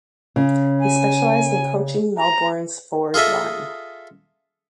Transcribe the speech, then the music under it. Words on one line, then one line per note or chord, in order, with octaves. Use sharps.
He specialised in coaching Melbourne's forward line.
C#3
G#5
A#5
F4 G#4 A4 D#5 E5